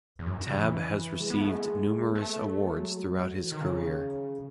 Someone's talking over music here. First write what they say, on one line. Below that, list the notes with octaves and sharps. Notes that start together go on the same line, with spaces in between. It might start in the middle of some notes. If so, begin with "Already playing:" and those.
Tabb has received numerous awards throughout his career.
E2
F#2
C#3
E3
G#3
B3
A3
G#3
B3
A3
G#3
F#3
E3
D#3
C#3